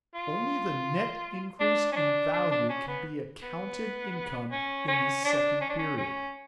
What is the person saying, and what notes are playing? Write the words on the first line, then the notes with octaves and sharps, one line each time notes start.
Only the net increase in value can be accounted income in the second period.
F4
D4
C#4
D4
D4
D4
C#4
B3
B3
C#4
C#4
D4
C#4
D4
C#4
C#4